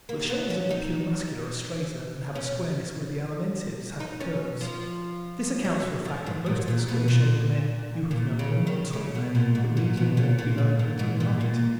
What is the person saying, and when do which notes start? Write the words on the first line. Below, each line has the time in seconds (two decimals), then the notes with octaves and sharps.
But the shoulders of the pure Muscular are straighter and have a squareness where the Alimentive's have curves. This accounts for the fact that most of the square shouldered men you have known were not tall men, but medium or below medium in height.
0.09 A#3
0.30 B3
0.50 C#4
0.70 D#4
2.35 C#4
4.00 D#4
4.21 C#4
4.61 F3
5.64 F#3
6.05 F3
6.26 G#2
6.46 A#2
6.68 A#2
6.88 B2
7.08 A#2
8.11 A#2
8.39 C#3
8.67 D#3
8.93 C#3
9.15 B2
9.35 A#2
9.55 G#2
9.77 A#2
9.97 B2
10.17 A#2
10.38 A#2
10.58 G#2
10.79 A#2
10.99 G#2
11.20 A#2
11.41 A#2